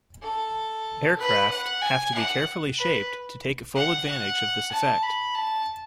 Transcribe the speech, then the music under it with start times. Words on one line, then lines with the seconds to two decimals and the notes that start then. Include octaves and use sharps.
Aircraft have to be carefully shaped to take full advantage of this effect.
0.22 A4
1.18 B4
1.50 F#5
1.82 G#5
2.14 F#5
2.79 B4
3.75 F#5
4.07 F#5
4.71 A5
5.03 B5
5.35 A5